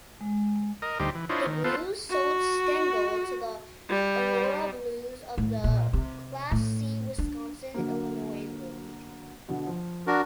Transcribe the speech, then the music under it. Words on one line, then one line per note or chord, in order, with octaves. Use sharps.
The Blues sold Stengel to the Aurora Blues of the Class C Wisconsin-Illinois League.
G#3
A#4 D#5
D2 G3 D#4 G4 C5
E3
D4 E4 F4 C5 C#5 D#5
D#3
B3 F4 A4 C5
F#4
G3
A2
A#2
C3
A2
D4
D3 F#3 A#3
B2 D3
F3
D4 F#4 A#4